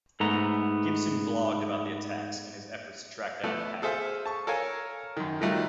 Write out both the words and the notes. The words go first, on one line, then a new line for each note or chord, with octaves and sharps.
Gibson blogged about the attacks and his efforts to track down the hacker.
G#2 A3 B3 A#5
A3 B3 A4
G#4 A4 C5 E5 F5
A5 C#6
A4 A#4 C#5 F5 G#5
F#2 D#3
D#3 F#3 G3 A3 D#4 F4